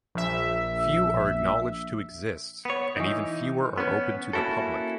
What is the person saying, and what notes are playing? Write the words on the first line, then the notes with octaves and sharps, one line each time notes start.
Few are acknowledged to exist, and even fewer are open to the public.
A#1 E5
B3 C#5
E3 D#4
B3 C#4
A#3 C#4 E4 F#4 A4